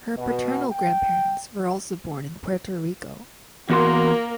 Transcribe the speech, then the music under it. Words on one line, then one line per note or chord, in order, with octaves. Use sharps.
Her paternal grandparents were also born in Puerto Rico.
B2
G5
E2 A#3 F#4 A#4 C6